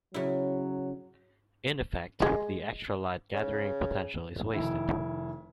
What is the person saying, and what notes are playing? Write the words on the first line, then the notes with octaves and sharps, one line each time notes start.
In effect, the extra light gathering potential is wasted.
C#3 F#3 E4
G#3
C#3
F1 D#3 E4